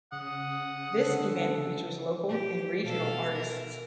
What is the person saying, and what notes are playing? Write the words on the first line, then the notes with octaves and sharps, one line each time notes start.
This event features local and regional artists.
C#3 F#5 D#6
D3 A4
G4
B2 A4 F5
A#4